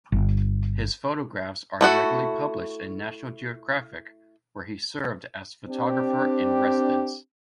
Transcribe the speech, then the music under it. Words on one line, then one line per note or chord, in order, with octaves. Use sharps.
His photographs are regularly published in "National Geographic", where he served as photographer-in-residence.
G1
A3 E4 F#4 A4
C4 D4 G4